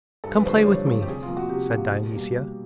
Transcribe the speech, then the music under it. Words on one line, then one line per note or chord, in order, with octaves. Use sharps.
"Come play with me," said Dionysia.
G2 A4
B4
D3 F3 A3 C5
D5
G2 C#5
D3 F3 A3
G4
C3 G#4
F4
F3 A#3
F#4
C3 G4
F3 A#3
B2
G3 A#3